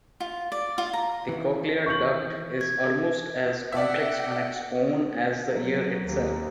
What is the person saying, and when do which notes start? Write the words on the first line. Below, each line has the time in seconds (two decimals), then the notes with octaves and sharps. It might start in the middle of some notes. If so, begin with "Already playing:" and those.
The cochlear duct is almost as complex on its own as the ear itself.
0.20 F4
0.52 D5
0.78 F4
0.93 A#5
1.29 D#3 E3
1.86 C#6 G6 F#7
2.61 G#6
3.72 D5 E5 F#5 G5
5.51 F#3
6.04 D#2